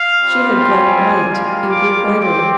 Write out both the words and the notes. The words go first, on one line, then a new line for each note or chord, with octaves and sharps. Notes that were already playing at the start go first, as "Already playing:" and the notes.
She had grown white, and grew whiter.
Already playing: F5
G3 C4 F4
G#5
G3 A#3 F4
D6
C4 G4 D6